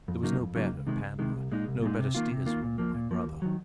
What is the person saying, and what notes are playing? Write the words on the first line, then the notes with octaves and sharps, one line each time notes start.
There was no better paddler, no better steersman than my brother.
F2
C#3 F#3 A#3 D#4
F2
C#3 F#3 A#3 D#4
C#2
C3 D#3 G#3
C#2
C3 D#3 G#3
C2
A#2 G#3 D#4
C2
A#2 G#3 D#4
C3
D#3 A#3 F4
C3
D#3 A#3 F4
A#2
F3 A#3
A#2
F3 A#3
D#2
D#3 F#3